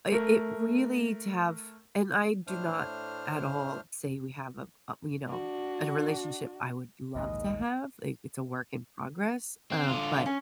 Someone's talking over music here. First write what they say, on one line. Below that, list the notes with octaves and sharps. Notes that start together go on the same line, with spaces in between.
it it really to have and I do not at all say we have a a, you know, and a relationship I would love to have, like, it's a work in progress, um, but
A3 A#4
A2 A3 D4 C5 F6
D4 F#4
A#1 D#2 G#2 D#5
C4
D3 F4
C#4